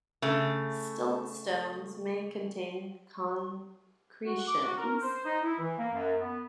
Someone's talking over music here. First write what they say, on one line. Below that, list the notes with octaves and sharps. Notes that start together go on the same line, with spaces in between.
Siltstones may contain concretions.
C#3 A3
F#4
D6
F#4
A#4
C5
D#4
E4
E3
A#3
F#2
B3